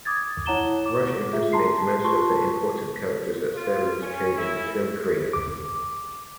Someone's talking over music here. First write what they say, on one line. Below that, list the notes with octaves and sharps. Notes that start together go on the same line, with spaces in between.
Rush impersonates most of the important characters that Sellers played in his film career.
D6 D#6 G#6 A6
E4 C#5 F#5 A#5 E7 G7
D6
F4 G#4 E5
A5 A#5 C6 C7
F4 B4 A5 C6 C#6
F4
C#4
E4
D6